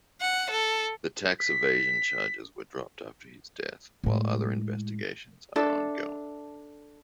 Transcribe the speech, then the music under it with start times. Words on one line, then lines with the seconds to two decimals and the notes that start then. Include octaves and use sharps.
The tax evasion charges were dropped after his death, while other investigations are ongoing.
0.21 F#5
0.50 A4
1.39 B6
4.04 A2 G#3
5.56 D4 A4 E5